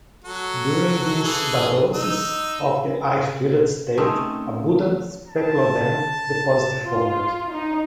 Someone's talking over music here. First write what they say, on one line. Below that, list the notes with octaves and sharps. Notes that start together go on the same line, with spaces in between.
During this vadose, or air filled state, abundant speleothem deposits formed.
F#3 F#4 A4
E3 G#4 A4
D#4 E6
A3 C4 C#4 D#4
A5
F4
D#4